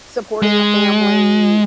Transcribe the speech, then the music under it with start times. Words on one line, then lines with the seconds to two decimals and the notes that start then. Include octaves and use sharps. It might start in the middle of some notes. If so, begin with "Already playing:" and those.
supporting a family,
0.43 G#3